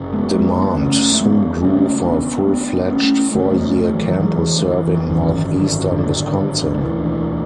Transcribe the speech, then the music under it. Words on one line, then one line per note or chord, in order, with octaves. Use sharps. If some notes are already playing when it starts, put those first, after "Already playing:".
Demand soon grew for a full-fledged four-year campus serving northeastern Wisconsin.
Already playing: F#1 F#2 C#3
G#3 B3
G#3 B3
B3 D4
B3
A3 C#4
A3
G#3 B3
C#2 C#3 A3 C#4
B3 D4
B3 D4
B3
A3 C#4
D2 C#3 F#3 A3
E3
F#3
E3 G#3
E3
G#1 F#2 D3
D3
D3
E1 D2 D3 E3
E3